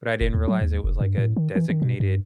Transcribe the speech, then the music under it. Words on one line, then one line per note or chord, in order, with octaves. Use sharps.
but I didn't realize it was, like, a designated
F1
D#2
F#3
D#2
F1
G2
A2
D#3
E3
D#3
B2
G2